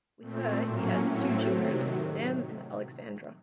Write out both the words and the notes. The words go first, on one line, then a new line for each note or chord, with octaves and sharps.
With her, he has two children, Sam and Alexandra.
A#2 A3 C4
A2 F#3 A#3 C#4
A2 F#3 A3 C4 C#5
C3 D#3 F#3